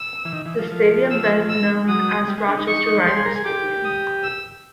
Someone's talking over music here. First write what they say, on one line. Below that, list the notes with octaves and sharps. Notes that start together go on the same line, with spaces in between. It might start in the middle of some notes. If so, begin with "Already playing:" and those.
The stadium then became known as Rochester Rhinos Stadium.
Already playing: E6
E3
D#3
E3
F3
F3
E6
E6
F#3 D#6
G3
G#3
D4
D#4
D#4 C#6
D#4
G4 C6
G#4
A#4
G#4
G4 D6
D#6
E6